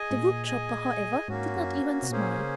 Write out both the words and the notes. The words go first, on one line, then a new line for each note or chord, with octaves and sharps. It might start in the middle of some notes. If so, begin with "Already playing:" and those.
The wood-chopper, however, did not even smile.
Already playing: G#4 D#5 G#5
G#2
A#2
G#4 D#5 G#5
G#2 A#3 C#4 F#4
F#2
C3
A#2 A#3 C#4 G#4 C5
C#3